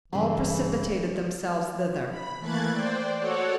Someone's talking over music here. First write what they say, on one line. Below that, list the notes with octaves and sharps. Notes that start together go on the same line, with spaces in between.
All precipitated themselves thither.
G2 C#3 E3
B5
E3 A3 A#3 F#6 G#6 A6
C5 D5 G5
F#4 A4 C#5 D5 F#5